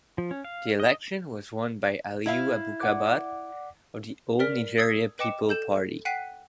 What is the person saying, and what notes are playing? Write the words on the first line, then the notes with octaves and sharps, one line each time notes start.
The election was won by Aliyu Abubakar of the All Nigeria Peoples Party.
F3
C#4
F5
D#5
E4 E5 F5
D5 F#5 D6
A#4 B4 D5 F6 B6 D7
D#6 E6 G#6
B4 D#5 G5 D6 C#7 E7
A4 G6 E7
F#5 G5 F#6 B6 C7 D#7